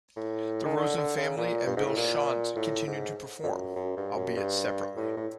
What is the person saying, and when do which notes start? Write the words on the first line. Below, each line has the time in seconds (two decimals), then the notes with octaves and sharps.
The Rosen Family and Bill Shontz continue to perform, albeit separately.
0.16 A2
0.65 D#3
0.77 D3
0.97 D3
1.17 C#3
1.37 A#2
1.66 G2
1.76 G#2
1.86 A2
1.97 A#2
2.56 A2
2.87 G#2
3.43 F2
3.46 F#2
3.76 F#2
3.97 G2
4.17 F#2
4.36 G2
4.96 A2
5.17 A2